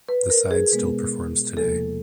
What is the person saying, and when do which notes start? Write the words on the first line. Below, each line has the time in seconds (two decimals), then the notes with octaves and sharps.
The side still performs today.
0.09 B4
0.30 A#4
0.51 G#4
0.72 B2 G#3 B3
1.56 E2 C3 F3 A#3 A4